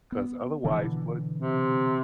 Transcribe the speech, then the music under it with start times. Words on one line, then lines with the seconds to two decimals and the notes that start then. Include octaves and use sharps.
'cause otherwise, what
0.12 B3
0.64 B2 D3 E3
1.39 C3